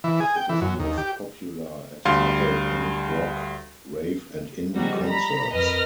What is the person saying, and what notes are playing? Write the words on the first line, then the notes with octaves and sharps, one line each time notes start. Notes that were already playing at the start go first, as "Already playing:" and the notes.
It is most popular at metal, punk, rock, rave and indie concerts.
E3
G#4
G5
E3
F#2
D#2
G4
D2 G3 F5 C6
F3 G3 G#3 D#4 F#4
A#5 B5
F2 A#4 B4 D#5 F6 A#6